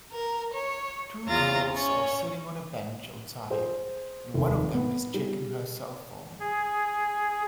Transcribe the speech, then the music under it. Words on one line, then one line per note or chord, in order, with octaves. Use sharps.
Two girls are sitting on a bench outside, and one of them is checking her cellphone.
A#4
C#5
E2 F4 A#5 A6
C#4 C#5
G#4 C5
F1 D#2
B3
G3 G#4
G#4